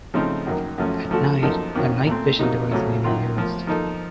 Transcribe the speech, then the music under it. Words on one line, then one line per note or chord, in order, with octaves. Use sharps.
At night, a night-vision device may be used.
C#3 F3 A3 C4 D#4
F#2 D#3 A#3
F#2 F3 A3 C#4
F3 A3 C#4 F#4 A4
F#2 F3 A#3 D#4 A4
F2 D#3 A#3 C#4 F#4
A#2 A3 C4
F2 C3 F#3 A#3 D#4
F2 C#3 F#3 A3 C#4
F#2 D#3 A#3 F4
A2 F3 A#3
F3 A#3 D#4 A4